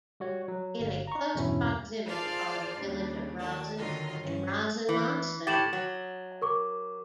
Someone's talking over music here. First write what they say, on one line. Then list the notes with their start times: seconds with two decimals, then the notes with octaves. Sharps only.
In a close proximity are the village of Rozhen and Rozhen Monastery.
0.20 G3 F#4 C#5
0.48 F#3
0.80 G1 F5
1.07 A#5 C#6
1.35 E2 G2 B2 C#4 E4
2.05 F4 G#4 C5 D5 F5 A5
2.78 D#2 C#3 G3 D4
3.39 A2 D#3 D5 A5
3.77 D3 D#3 F#3 F4 D#5
4.19 G2 C#4
4.89 E3
5.47 A2 G4 A6 E7 F#7
5.73 F#3
6.42 A#4 C#6 D6